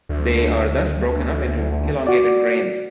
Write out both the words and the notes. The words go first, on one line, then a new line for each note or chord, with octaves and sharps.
They are thus broken up into elongated grains.
D2
F#4 D5